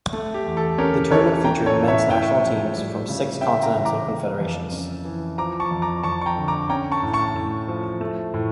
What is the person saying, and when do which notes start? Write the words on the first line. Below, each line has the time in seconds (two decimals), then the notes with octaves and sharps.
The tournament featured men's national teams from six continental confederations.
0.13 A3
0.34 G4
0.46 E2
0.57 A4
0.78 C#4 G4 A#4
1.11 E3 A4 C#5
1.45 C#4 G5 A#5
1.66 A4 C#5
1.77 A2
1.88 C#5 E5
2.10 A2 E5 G5
2.42 F3
2.76 G3
3.09 C#3
3.41 C#4 E5 G5
3.63 G5 A#5
3.75 E3
3.85 A#5 D6
4.07 A#3
4.40 F2
4.72 C#4
5.05 E3
5.38 F3 A#5 D6
5.60 A5 C#6
5.71 F2
5.82 A#5 D6
6.03 F2 A5 C#6
6.21 C#6
6.26 G5 A#5
6.37 D3
6.48 A#5 D6
6.69 C#4 G5 A#5
6.92 A5 C#6
7.03 A2
7.13 A5 C#6
7.35 A2
7.68 F3
8.01 A3
8.34 A2